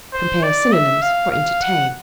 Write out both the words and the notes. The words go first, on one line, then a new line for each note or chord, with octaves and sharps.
Compare synonyms for ENTERTAIN.
C5
D5
E5
F5
F5
F#5